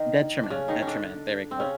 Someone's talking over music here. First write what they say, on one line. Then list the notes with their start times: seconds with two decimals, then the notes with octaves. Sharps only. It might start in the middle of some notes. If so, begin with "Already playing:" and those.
Detriment, detriment, there we go.
Already playing: D#3 D#4
0.43 D4
0.50 C#3 C#4
0.68 D#3 D#4
0.82 C#4
0.87 D3 D4
1.51 C4
1.60 C#3 C#4